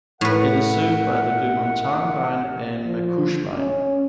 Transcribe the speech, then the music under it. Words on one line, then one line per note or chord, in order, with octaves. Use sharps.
It is served by the Deux-Montagnes line and Mascouche line.
A2 A#4 B4 E5 F#5
F3
C#4